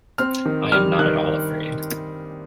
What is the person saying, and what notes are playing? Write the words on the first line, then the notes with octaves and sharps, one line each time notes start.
I am not at all afraid.
C4 F6
D#3
G3 F6
D#3 F#6